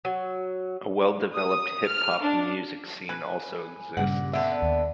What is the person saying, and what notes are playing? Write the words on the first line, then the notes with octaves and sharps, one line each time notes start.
A well-developed hip hop music scene also exists.
F#3
D#6
F6
D4
B4 G#5
G2 A#2 C#3 G3 F#5
D3 B3 E5
D#2